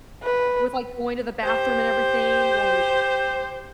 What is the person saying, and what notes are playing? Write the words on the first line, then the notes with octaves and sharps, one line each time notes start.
with, like, going to the bathroom and everything, like
B4
G4 C5